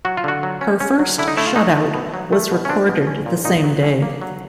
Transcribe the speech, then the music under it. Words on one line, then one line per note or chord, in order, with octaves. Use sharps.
Her first shutout was recorded the same day.
F#3 F#4
F4
D3 F#4
F#3
C#4
C#4
F#3
D3 E4
D#4
A3 E4
F4
A3 D#4
A3
B2
F#3
A3
B2
C#4
C4 D4
B2
C#4
A#2
A#2 D#4
F#3
C#4
A#3
F#3